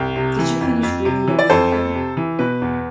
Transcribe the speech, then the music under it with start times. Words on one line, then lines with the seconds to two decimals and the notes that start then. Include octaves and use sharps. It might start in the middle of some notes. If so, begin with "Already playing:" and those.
Did you finish reading that novel?
Already playing: C2 G5
0.16 C3
0.39 E3
0.61 F2
0.83 F2
1.05 C3
1.27 E3
1.39 D5
1.49 F2 A4 C5
1.72 F2
1.94 C3
2.17 E3
2.39 B2 B4
2.62 E2